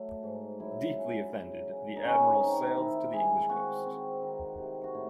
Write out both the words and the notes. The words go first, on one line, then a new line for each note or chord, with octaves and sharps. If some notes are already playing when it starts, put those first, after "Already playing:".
Deeply offended, the Admiral sailed to the English coast.
Already playing: F#3 A3
G#2
F#3 E4
C#3
F#3
C#3
D#4
D#3 C#4
C4 D#4
D#4
D#3 E4
G#3 G#4
C4 F#4
C4
D#3
C3
F#4
A2 E4